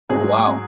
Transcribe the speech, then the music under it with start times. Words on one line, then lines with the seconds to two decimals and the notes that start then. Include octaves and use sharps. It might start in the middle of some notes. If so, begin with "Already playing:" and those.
Oh, wow.
0.10 G#2 F#3 G#4